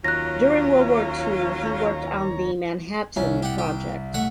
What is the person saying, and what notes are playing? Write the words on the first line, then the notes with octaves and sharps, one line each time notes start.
During World War II, he worked on the Manhattan Project.
D#2 F#3 C#4 F4 C#5 A#5 F#6 A#6
C2 C#4
G4 F#5
G4
A3 E5 F#5